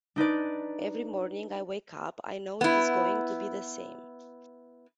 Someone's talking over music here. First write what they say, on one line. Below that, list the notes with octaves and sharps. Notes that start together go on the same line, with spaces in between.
Every morning I wake up I know it is going to be the same.
D4 D#4 B4 D5
B3 E4